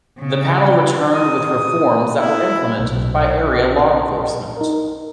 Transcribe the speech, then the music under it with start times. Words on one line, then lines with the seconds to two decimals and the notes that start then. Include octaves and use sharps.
The panel returned with reforms that were implemented by area law enforcement.
0.18 C#3
1.13 D#6
2.19 E4
2.79 B1 A#2
4.57 D#4 A#4